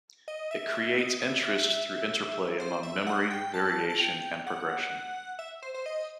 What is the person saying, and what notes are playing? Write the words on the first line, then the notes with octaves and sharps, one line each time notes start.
It creates interest through interplay among "memory, variation, and progression".
D#5
E5
E5
D#5
E5
E5
C5
E5
F#5
G5
A5
A5
G5
F#5
E5
C5
C5
D#5